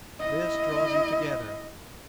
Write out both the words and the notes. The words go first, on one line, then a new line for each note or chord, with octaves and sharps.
This draws you together.
E4 D#5